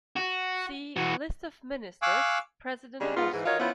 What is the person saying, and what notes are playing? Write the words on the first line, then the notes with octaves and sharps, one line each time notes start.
See: List of Ministers-President of Austria.
F#4
E3 F#4
F5 G#5 C#6 D6 E6 F#6
C#3 G3 G#3 D4
G#2 B3 F4
G#2 E3
F4 F#4 A#4 C#5 D#5
B3 C#4 E4 F4 C5